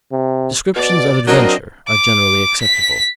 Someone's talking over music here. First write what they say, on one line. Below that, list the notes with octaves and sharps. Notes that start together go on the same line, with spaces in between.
Descriptions of adventure are generally acceptable.
C3
B2 D5
F#3 C4 D4 A#4 D#5
D6
B6